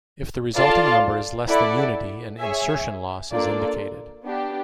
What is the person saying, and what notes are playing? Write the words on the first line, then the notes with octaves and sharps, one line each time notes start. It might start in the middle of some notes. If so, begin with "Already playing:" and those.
If the resulting number is less than unity, an "insertion loss" is indicated.
F4 A4 D5 F5 A5
E4 A4 D5 F#5
G#4 C#5 E5 G#5
A#3 D4 F4 A4 D5
B3 D4 G4